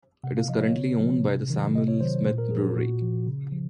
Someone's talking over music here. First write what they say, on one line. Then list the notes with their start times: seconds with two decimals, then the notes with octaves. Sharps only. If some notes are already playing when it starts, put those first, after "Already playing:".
It is currently owned by the Samuel Smith Brewery.
0.24 C3 F#5
0.37 F5
0.49 F3 D#5
0.61 C#5
0.75 C#3
1.00 F3
1.24 C3
1.50 D#3 F#3
1.75 C3 D#5
1.88 C#5
2.01 D#3 F#3 C5
2.26 A#2 C5
2.38 A#4
2.51 F3 G#4
2.64 F#4
2.76 A#2 F#4
3.02 F3
3.27 C#3
3.52 F3